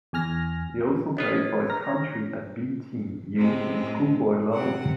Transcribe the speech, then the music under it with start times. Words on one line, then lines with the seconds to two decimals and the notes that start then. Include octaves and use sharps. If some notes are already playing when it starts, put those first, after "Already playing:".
He also played for his country at 'B' team, youth and schoolboy level.
0.13 E2 G#5 F6 A#6
1.17 B1 B3 F4 C#5
1.70 A#5 F6 A#6
3.36 A2 C3 G#3
4.52 C3 F#5